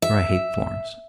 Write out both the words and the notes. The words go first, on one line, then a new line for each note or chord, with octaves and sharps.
For I hate Florence.
E5